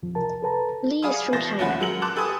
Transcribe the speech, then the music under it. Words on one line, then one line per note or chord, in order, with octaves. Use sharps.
Li is from China.
F2 F3
C2 A#4 A5
A4 B4 A5 A#5
G#4 D5 F5 G#5 B5 D#6
B2 E3 C5 A6 A#6
D#2 F3 A3 C#4 F#5 B5
F#3 G#3 A#4 C#7 F#7
A5 C6 D6 F#6
G4 A4 B4 G#5 D#6